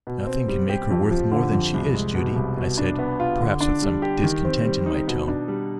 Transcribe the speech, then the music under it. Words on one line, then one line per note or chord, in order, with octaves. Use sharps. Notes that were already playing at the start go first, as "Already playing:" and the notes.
"Nothing can make her worth more than she is, Judy," I said, perhaps with some discontent in my tone.
B2
C4
G3
G4
F2
F3
D3
F2
C2
G#3
B2
C2
B2
D4
B3
F4
D3
D4
G3
G4
D#3
C4
G3
D#4
B2
D4
G3